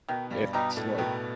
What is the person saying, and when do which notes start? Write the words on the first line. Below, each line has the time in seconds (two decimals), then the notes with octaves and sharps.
It's like,
0.08 B2 D#3 B3
0.30 G2 G3
0.53 B2 G3 B3 D#4
0.76 A2 A3
0.98 B2 D#3 B3